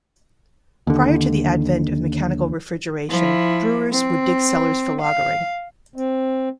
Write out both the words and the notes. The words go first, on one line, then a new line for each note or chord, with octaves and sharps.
Prior to the advent of mechanical refrigeration, brewers would dig cellars for lagering.
D#2 D3
F3 E4
C4
F5
C4